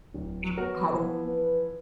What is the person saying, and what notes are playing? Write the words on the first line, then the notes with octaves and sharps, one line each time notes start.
it had a
D1
B3 F#4 A#4 C#5
E3 F3
B4